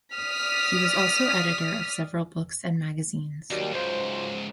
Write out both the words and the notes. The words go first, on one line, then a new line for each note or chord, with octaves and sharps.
He was also editor of several books and magazines.
D5 D#6 F6 B6
D#2 D#3 F#3 G3
C#2 G#2 F#3 F4 C5